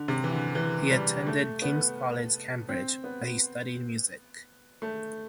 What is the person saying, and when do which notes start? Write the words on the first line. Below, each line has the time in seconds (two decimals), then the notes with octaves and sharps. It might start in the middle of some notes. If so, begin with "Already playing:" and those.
He attended King's College, Cambridge, where he studied music.
Already playing: D3
0.08 C3
0.24 E3
0.31 D3
0.55 E3
0.91 G3
1.27 A3
1.62 B3
2.69 C4
3.04 B3
4.82 A3